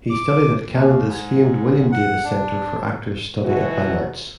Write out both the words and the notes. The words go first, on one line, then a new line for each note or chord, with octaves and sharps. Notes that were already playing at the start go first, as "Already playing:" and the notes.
He studied at Canada's famed William Davis Centre for Actors Study at VanArts.
D6
D#2
G#2
F#5
D4
B2 E3 F#3 F#4